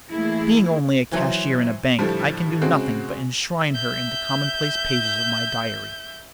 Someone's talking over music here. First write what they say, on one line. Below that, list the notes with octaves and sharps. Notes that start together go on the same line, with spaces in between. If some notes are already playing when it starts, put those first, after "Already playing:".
Being only a cashier in a bank, I can do nothing but enshrine her in the commonplace pages of my diary.
E3 A3 A#3 E4 G#4
E3 F#3 E4 C5
A2 D3 F3 G3
C#3 G#3 C4 F#4
E5 G6